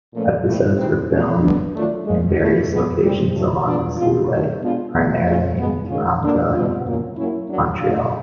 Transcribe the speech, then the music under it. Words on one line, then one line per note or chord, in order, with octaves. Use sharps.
Episodes were filmed in various locations along the seaway, primarily Toronto and Montreal.
A#2 F3 A3 C#4
A#2 F3 A3 C4 E4
C3 D#3 G#3 C4 E4
F3 A3 C#4
F#3 B3 D4
D#3 F#3 A3 D4 F4
A#2 F3 G#3
E3 A3 C#4 E4
D#3 G#3 B3
E3 G3 C4
C#3 F#3 A3
F#3 B3 D4 F4
B2 G#3 C4 F4
C3 D#3 F#3 A3
B2 G#3 B3 D4 F4
A2 E3 G#3 B3
C#3 F#3 A3 C#4 F4
B2 G#3 B3
D#3 G#3 C#4 F4
D3 F#3 A#3 D4
B2 G3 C4 F4
B2 F#3 A#3 C#4 F4
F#3 A#3 C#4 E4
F#3 A#3 D4
F#3 A3 D4 F4